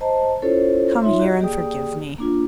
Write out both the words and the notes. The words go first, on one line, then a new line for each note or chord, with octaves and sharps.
Come here and forgive me.'
C5 D#5 A5 A#5
C#4 E4 F4 A4 C5 C#5
D#4 F4 C#5 E5 C6
F#4 G4 D#5
A#3 G4 G#4 D5 G5 D#6
A#3 D4 F4